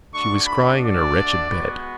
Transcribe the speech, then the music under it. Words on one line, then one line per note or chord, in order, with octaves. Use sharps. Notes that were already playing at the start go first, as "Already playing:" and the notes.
She was crying in her wretched bed.
A3 D4 F#4 C#6
B5
D5
G#3 B3 F#4